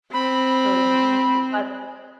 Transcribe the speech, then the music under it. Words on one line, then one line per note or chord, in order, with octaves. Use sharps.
So you uh, what
C4 B5